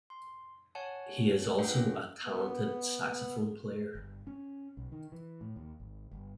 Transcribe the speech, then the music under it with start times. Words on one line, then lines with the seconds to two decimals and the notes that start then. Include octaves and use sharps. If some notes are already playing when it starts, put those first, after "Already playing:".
He is also a talented saxophone player.
0.10 C6
0.75 C#5 F#5 G#5 A5
1.58 A3 D4 F4 B4 F#5 G5
1.75 C#4
2.24 B3
3.95 G1
4.27 C#4
4.77 B1
4.92 D#3
5.12 E3
5.41 A2
5.56 D#2
5.80 G#1
6.11 G1